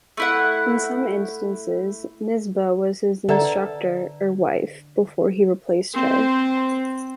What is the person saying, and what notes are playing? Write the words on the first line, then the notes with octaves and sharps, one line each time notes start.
In some instances, Nisaba was his instructor or wife before he replaced her.
A3 E4 F#5
D3 A4 B4 D5 E5 F#5 A#5
C4 C5